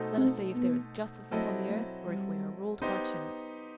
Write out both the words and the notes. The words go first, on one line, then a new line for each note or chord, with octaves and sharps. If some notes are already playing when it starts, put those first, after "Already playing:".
Let us see if there is justice upon the earth, or if we are ruled by chance.'
Already playing: B2 A3 D#4 A4 C5
C4
B3
F#3 A3 C4 E4 A4 D#5
A3
G3
B3 D#4 G4 C5